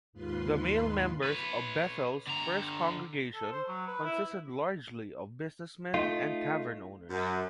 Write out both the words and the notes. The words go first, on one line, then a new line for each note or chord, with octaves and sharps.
The male members of Beth-El's first congregation consisted largely of businessmen and tavern owners.
D#2 G#2 F4 B4 C6
B4 C#5
D3 A#5
A4
C5
F#3
B4
E4
A3 D#4 F4
F#2